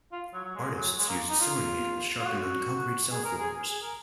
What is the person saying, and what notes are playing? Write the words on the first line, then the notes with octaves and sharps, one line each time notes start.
Artists used sewing needles sharpened on concrete cell floors.
F4
F#3
F#3
G#3
F#3
G#3
A#3
D#4
F4
F4
F#4
G#4
A#4
G#4
G#4
A#4